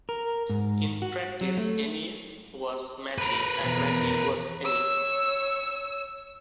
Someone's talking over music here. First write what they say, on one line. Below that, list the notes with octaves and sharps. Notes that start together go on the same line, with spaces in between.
In practice, Eni was Mattei and Mattei was Eni.
A#4
G#2
F#4
F#3
A3
A#4 B4
F2 B2 E3
C#5 E6